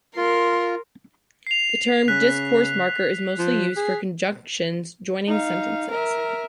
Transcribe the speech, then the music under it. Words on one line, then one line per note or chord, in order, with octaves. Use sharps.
The term "discourse marker" is mostly used for conjunctions joining sentences.
F4 A#4 C6
C7 F7
C#3 F#6 B6
F3
G#4
D#4 F5
A#4 E5